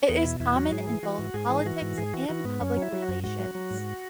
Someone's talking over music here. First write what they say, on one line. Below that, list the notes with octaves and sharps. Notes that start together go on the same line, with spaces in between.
It is common in both politics and public relations.
E2 B3
B2 E4
E2 E4
F#3 F#4
G#2 G#4
E3
E3 F#4
G#2
G#2 G#4
E3
E3 F#4
G#2
G#2 G#4
E3 F#4
E3 F#4
G#2 B3
F#2 C#4
F#3
E4
F#3
F#4
F#2
G#2 F#4
F#3
F#3
G#2